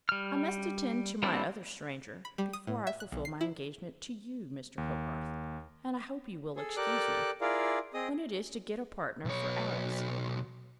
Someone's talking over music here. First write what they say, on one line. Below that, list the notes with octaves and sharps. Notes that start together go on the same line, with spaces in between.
I must attend to my other stranger before I fulfil my engagement to you, Mr. Hogarth, and I hope you will excuse me, when it is to get a partner for Alice.
G3 F6
G3 A#3 C4 D4 E4
B5
G3
D#6
A2
E5
F#6
B1
C7
E4
D#2
G#4 A4
G4 A4 A#4 D5 D6 F#6
E4 F4 G#4 A#4 D5 F5
C4 G#4 D#5 D#6
B1 C#5